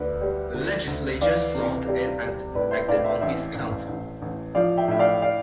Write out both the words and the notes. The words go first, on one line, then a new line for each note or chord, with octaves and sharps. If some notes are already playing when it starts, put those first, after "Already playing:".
The legislature sought and acted on his counsel.
Already playing: D2 B4 D5
G3
D2
D2
E3 D5 F5
C3
G3
G3
A2 B4 D5
C5 E5
A2 D5 F5
C5 E5
A1 C5 E5
A1
A1
A1
F3 D5 F5
E5 G5
A2 E5
D5 F5
D5 F5